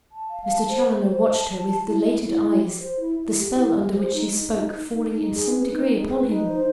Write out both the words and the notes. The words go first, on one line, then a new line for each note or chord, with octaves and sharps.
Mr. Challoner watched her with dilated eyes, the spell under which she spoke falling in some degree upon him.
A5
F5
A5
C5
C5
C5
A5
A5
A5
E4
E4
E4
E4
G4
C5
E4
E4
G4
E4
G4
C5
D#4
D#4
D#4
D#4
D#4
D#4
G#4
B4
D#4
G#4
B4
D#4
C5